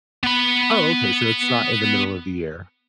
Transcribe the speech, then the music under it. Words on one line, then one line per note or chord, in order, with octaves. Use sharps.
Oh, okay, so it's not in the middle of the year.
B3 B5